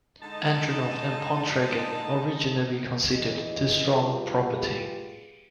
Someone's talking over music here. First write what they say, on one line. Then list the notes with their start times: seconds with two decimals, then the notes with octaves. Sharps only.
Andronov and Pontryagin originally considered the strong property.
0.22 D3 G#3 D#4 A5
3.10 E3 G#4 D#5
3.90 B2 G3 F4 G4 G#4 B4